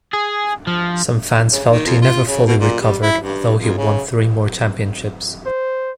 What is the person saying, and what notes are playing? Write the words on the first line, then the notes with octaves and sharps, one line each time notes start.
Some fans felt he never fully recovered, although he won three more championships.
G#4
F3
C#3
D#3
F2
F4
C#3
B2
A#2
G3
E4
G2
F2
C#3
C5